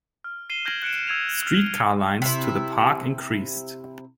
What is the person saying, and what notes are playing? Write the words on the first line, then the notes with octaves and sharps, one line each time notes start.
Street car lines to the park increased.
F6
C7 D#7 E7 G7
F6 G6 G#6 A#6 D7 F#7
F#6 C#7 D7 E7
E6 G#6 D#7 F7
E6 F6
C3 E4